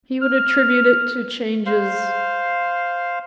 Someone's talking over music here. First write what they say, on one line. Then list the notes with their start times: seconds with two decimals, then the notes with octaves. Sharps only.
"He would attribute it to changes . . ."
0.22 F6
1.66 C5 F5